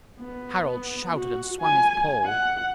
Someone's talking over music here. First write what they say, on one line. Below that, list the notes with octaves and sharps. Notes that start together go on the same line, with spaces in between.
Harald shouted and swung his pole.
B3
F#4
G#5
F#5